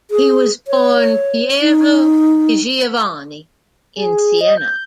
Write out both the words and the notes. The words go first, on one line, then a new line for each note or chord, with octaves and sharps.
He was born Piero di Giovanni in Siena.
G#4
C#5
D#4
G#4
D#5
G6